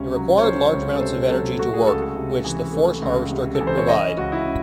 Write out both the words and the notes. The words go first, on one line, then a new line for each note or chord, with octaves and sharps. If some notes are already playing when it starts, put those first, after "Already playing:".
It required large amounts of energy to work, which the Force Harvester could provide.
Already playing: C#2 C3 C#4
F#3
C#5
C#4 C5
C#2
A4
C3 C5
F#3 A4
A3 F#4
G#4
C#2 A4
A4
C3
E3
A3
C#2
C3
A4
E3
C5
C#5
C#4 D#5
C#2 F#4
E4
C#3